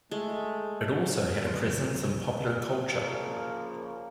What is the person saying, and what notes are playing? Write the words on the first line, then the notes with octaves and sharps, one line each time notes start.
It also had a presence in popular culture.
G#3 A3
C#2 F#2 G#3
C#3 F3 A#3